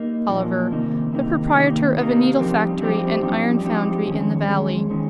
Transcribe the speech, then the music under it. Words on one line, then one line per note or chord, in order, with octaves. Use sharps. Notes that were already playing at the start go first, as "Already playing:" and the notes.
Oliver, the proprietor of a needle- factory and iron-foundry in the valley.
Already playing: A#3 D#4
A#2 F3 A#3 D#4
C3 D#3 A#3 D#4
C3 D#3 A#3 D#4
C3 D#3 A#3 D#4
C3 D#3 A#3 D#4
G2 F3 C4 D#4 G4
G2 F3 C4 D#4 G4
G2 F3 C4 D#4 G4
G2 F3 C4 D#4 G4
F2 D#3 G#3 C#4
F2 D#3 G#3 C#4
D#3 G#3 C#4